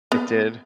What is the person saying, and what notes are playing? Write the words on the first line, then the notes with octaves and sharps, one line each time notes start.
It did?
B3